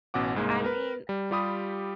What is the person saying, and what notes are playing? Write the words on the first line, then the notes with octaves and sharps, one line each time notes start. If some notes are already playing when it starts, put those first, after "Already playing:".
I mean,
A1 B2 C#4 F#5 D6
C2 G#2 G#3 A#3
A#4 B4
G3
G3 F4 G4 B5 D#6